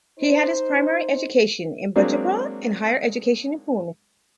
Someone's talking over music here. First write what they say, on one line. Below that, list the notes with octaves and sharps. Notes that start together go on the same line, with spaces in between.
He had his primary education in Bijapur and higher education in Pune.
D#4 C5
F#3 G#3 A#3 C4 D4